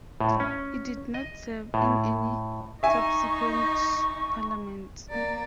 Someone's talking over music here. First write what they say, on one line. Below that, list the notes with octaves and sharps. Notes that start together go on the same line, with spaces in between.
He did not serve in any subsequent Parliaments.
A2
C#4
D#5
A2
D#4 E5 G#5 C#6
C#6
A#3 D5 A#5